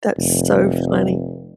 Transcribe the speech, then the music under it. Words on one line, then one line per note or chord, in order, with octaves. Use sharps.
That's so funny.
F1